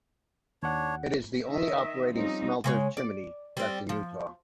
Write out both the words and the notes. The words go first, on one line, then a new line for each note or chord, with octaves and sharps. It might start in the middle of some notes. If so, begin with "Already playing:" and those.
It is the only operating smelter chimney left in Utah.
D#2 D4 C#5 F#5
D#3 D#5 E5
F3 G3 C4 C#4 D#4
C#3 G#3 C#5
D5
G3 C4
F3